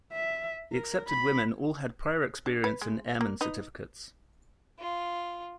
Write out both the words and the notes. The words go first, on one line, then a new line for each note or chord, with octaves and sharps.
The accepted women all had prior experience and airman certificates.
E5
A#4
B5
D4
B4
G#3
A#3
D#4 B4
F4